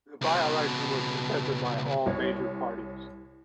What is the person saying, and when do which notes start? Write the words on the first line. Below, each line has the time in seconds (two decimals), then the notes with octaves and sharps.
The by-election was contested by all major parties.
0.22 C#2 B2
2.06 C2 C#5